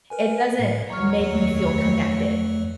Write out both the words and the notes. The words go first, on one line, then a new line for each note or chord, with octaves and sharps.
it doesn't make me feel connected
A#4 B4 G#5
A2
D#2 F#3 C#5 A#5 C#6 F6
F2 A3